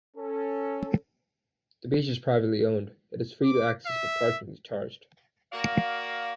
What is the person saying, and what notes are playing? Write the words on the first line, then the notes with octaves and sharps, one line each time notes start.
The beach is privately owned; it is free to access but parking is charged.
C#4 A4
D6
E5
A#3 F#4 D5 F5